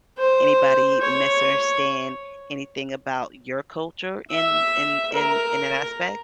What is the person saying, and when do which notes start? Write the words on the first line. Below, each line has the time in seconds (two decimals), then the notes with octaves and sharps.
anybody misunderstand anything about your culture in in in in that aspect?
0.18 C5
1.01 C#5
4.31 E5
5.13 A#4